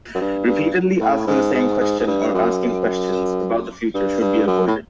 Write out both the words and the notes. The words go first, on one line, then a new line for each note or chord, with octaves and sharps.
Repeatedly asking the same question or asking questions about the future should be avoided.
F#2
G2
G2
A2
G#2
G#2
G#2
G#2
G2
F#2
G2
G2
F#2
A2